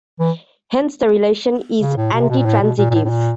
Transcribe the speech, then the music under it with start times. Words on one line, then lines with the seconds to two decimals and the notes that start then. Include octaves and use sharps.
Hence the relation is antitransitive.
0.20 E3
1.82 C#3
1.97 A2
2.13 B2
2.22 C3
2.29 B2
2.38 A#2
2.45 A2
2.61 B2
2.78 A#2
2.90 A#2
2.94 A2
3.05 A2
3.09 A#2